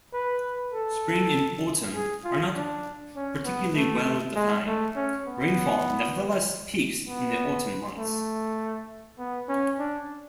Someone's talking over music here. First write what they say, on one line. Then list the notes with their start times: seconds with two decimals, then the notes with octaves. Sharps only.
Spring and autumn are not particularly well-defined; rainfall nevertheless peaks in the autumn months.
0.13 B4
0.74 A4
1.95 G#4
2.24 F4
2.55 D4
3.16 C#4
3.45 B3
3.75 A3
4.36 G#3
4.67 A3
4.96 C#4
5.27 B3
7.08 B3
7.98 A3
9.19 B3
9.49 C#4
9.79 D4